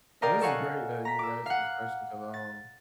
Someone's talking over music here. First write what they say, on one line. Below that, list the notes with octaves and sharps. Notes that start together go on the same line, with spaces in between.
and this is great that you asked this question 'cause, um,
A#4 D5 D#5 F5 G5 A#5
A4 A#4 C#5 F5 F#5 G#5
A#5 B6
D6 E6
F5 F#5
A6